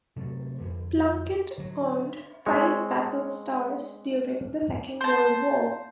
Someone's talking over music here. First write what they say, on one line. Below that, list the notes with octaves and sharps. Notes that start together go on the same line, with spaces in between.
"Plunkett" earned five battle stars during the Second World War.
C3 F#3 A3
F2 D3
D3 F#3
G#3 C4 G#4 C#5
C5 A5